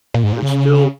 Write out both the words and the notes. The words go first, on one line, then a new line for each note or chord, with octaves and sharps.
and still
A#2
G#2
A#2
C#3